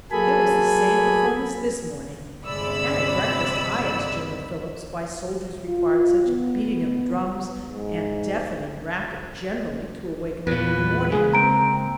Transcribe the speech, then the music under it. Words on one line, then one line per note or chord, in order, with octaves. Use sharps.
There was the same performance this morning, and at breakfast I asked General Phillips why soldiers required such a beating of drums, and deafening racket generally, to awaken them in the morning.
F#3 A#3 G#4 A4 G#5 B5
G1 C3 G#3 D5 B5 E6
F4
B3
G#2
E2 A#2 B4
C#3 G#3 A#3 G#4
C4 A#5 D7